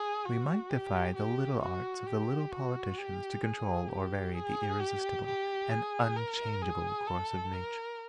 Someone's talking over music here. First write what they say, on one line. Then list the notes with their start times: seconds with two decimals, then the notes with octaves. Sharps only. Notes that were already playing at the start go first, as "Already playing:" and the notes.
We might defy the little arts of the little politicians to control or vary the irresistible and unchangeable course of nature.
Already playing: G#4
0.25 F#4
0.70 G4
1.16 G4
1.61 F#4
2.07 G4
2.52 F#4
2.98 G4
3.43 G#4
3.89 G4
4.34 G#4
4.80 G4
5.26 G4
5.71 G#4
6.17 A#4
6.62 G#4
7.07 A4
7.53 A#4